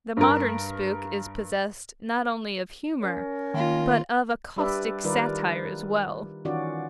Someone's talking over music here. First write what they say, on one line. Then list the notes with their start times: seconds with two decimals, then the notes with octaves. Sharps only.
The modern spook is possessed not only of humor but of a caustic satire as well.
0.17 G2 A#4
3.00 C#4 A#4 C#5
3.54 D#3 A#3 F4
4.56 G3 D4 G4 B4 D5 E5
5.04 D#3 G3 F4 A#4 B4 D5
6.45 D#3 E3 C#4 F4 F#4 D5